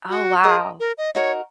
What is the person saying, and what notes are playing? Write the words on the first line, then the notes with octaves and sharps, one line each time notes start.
Oh, wow.
F#4
G#4 A#4 D#5 A#5 D#6
A#4
D#5
D#4 F#4 A#4 C#5